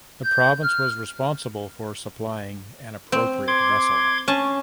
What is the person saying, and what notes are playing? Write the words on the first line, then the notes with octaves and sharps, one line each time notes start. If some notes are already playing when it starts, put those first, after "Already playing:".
The province was responsible for supplying an appropriate vessel.
G6
F6
C4
C6 D6 G#6
C#4 A5